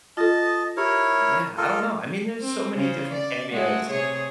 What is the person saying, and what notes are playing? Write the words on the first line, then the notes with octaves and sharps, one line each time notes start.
yeah, I don't know, I mean, there's so many different cameos.
F4 A4 D#5 A5
E4 G4 A#4 C#5
F4 A4 A#4
C4
C#3 C#4 C5
D5
G#3 A3 F#4
C3 G#4 C#5